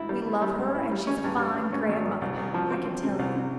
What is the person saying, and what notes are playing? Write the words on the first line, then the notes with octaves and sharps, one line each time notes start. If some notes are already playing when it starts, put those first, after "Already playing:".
We love her, and she's a fine grandmother, I can tell you.
Already playing: G#2 E4
G3
E4
G3
G#2
E4
G3
C#4
G2
G3
G2
C#4
G#1
G#1
C2
C2
F3
C4
C4
C3
C2
C3